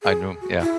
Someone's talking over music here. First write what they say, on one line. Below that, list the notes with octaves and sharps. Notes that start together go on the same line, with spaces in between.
I do, yeah.
G#4
F#4
E4